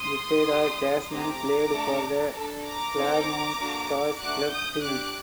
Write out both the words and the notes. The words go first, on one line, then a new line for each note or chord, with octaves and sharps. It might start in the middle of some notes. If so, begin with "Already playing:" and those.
Zepeda Cashman played for the Claremont Stars club team.
Already playing: C6 D#6
D4 G4
A3 C4 G4 A#5 D6
A3 D4 A4
D4 A4
A#5 D6
C4 D#4 A4
A#3 D4 F#4 A4
A3 D4 F#4 D6 F#6
D#6 G6
D4 G4 D6 F#6